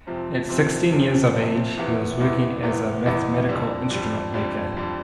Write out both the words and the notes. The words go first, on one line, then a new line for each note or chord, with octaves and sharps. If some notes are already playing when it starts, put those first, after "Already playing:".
At sixteen years of age he was working as a mathematical instrument maker.
F2 C3 F3 C4
F2 C3 F3 C4
F2 C3 F3 C4
F2 C3 F3 C4
E2 C3 E3 B3 E4
E2 C3 E3 B3 E4
E2 C3 E3 B3 E4
E2 C3 E3 B3 E4
F2 D3 G3
F2 D3 G3
F2 D3 G3
F2 D3 G3